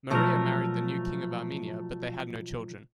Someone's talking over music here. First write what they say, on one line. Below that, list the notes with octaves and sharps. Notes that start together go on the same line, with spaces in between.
Maria married the new King of Armenia but they had no children.
B2 F3 F#3 A3 A#4